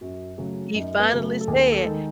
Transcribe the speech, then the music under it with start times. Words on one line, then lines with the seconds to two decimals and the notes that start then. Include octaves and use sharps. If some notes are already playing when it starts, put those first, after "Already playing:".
He finally said,
0.01 F#2 F#4
0.38 C#3 F#3 A3 G#4
0.74 F#2 D#4
0.99 B3
1.11 C#3 F#3 A3
1.24 A3
1.41 A4
1.48 D#2 G#4
1.72 A4
1.84 D#3 G#3